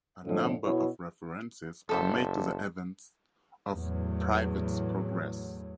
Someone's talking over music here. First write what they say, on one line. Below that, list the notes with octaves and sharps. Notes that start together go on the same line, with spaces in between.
A number of references are made to the events of "Private's Progress".
F2 A2 D3 F3
B2 E4 C#5
F#1 A4 C5 E5
E2 A2 F#3